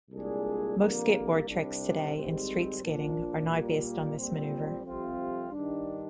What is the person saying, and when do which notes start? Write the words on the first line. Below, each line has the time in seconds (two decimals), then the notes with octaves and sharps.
Most skateboard tricks today in street skating are now based on this maneuver.
0.10 C2 A#2 G#3 D4 G#4
0.78 F2 D3 G3 A#3
1.45 C2 C3 G3 D4
2.13 G#1 G#2 G3 C4
2.80 A#2 F3 A#3 D4 F4
3.48 A#2 G3 A#3
4.16 A#2 G3 C4
4.83 F2 C3 G3 C4 F4
5.51 G2 D#3 G3 D4